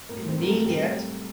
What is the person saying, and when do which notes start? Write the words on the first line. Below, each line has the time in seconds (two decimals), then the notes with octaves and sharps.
need it
0.09 A2 A#3 A#4
0.28 C4 C5
0.37 F#3
0.43 A#4
0.47 A3 A4
0.66 A2 G3 G4